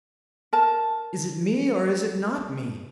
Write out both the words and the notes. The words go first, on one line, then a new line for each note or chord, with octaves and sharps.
'Is it me, or is it not me?
A#4 A5